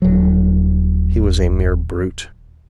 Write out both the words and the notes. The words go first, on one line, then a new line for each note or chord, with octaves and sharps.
He was a mere brute.
D#1 F#3